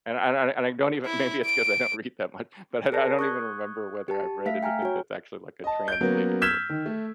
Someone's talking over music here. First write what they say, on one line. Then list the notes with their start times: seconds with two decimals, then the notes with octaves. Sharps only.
And I and I and I don't even maybe it's 'cause I don't read that much, but I I don't even remember whether I've read anything that's actually, like, a translated work.
1.05 E4
1.45 D7
2.92 G#4 A#4 D5 A5 A#6
3.19 C#6 D#6 F#6 G#6
4.08 G4 A5
4.46 A3 E5 F5 B6
4.63 G5 G#5 A#5 F6
4.82 F#4 C#5
5.64 D#5 A5
5.88 G6 D7
6.01 F#3 A#3 B3 C#4
6.42 E6 F6 G6 G#6 B6 E7
6.69 D#3
6.86 A3